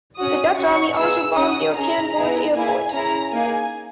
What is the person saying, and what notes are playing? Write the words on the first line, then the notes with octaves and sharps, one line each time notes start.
The Dutch army also bombed the Okanburg Airport.
C#4 F#4 D#6
C#4 F#4 C#6
B3 D#4 G#4 E6
C#4 F#4 D#6
C#4 G#4 A#5
B3 E4 G#4
A#3 E4 G#4 G#5
C#4 E4 G#4 A#5
A#3 D#4 G#4 G#5